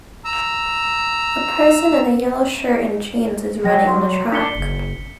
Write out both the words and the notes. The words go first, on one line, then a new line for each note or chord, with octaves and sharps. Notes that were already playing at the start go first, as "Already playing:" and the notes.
A person in a yellow shirt and jeans is running on a track.
A#5 E6
F#3 G5 A#6
C6
D4 B6 C#7 G7
F#1